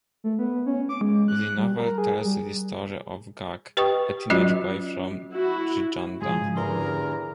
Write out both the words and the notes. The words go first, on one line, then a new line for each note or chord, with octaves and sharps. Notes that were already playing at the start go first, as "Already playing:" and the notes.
The novel tells the story of Gack, a teenage boy from Giganda.
A3
B3
C#4
D6
G#3
F#6
G3
A#4
G#4
G3
G4 B4 D#5 G5 C#6 D#6
F#3 C#4 F4 F#4 D5 D#5
E4 F#4
G#2 C#3 F3 G#3 G#4
E2 D3 G4 A#4 C6